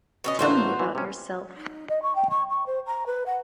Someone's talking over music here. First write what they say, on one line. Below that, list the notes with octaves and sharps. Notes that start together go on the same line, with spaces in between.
Tell me about yourself.
B2 C#4 D#5
A1 A3 A#3 F4 F#4 C5
E3
C3 C#4
D#4
D#5
C#6
G5
C#6
C#6
C5
A#5
B4
F#5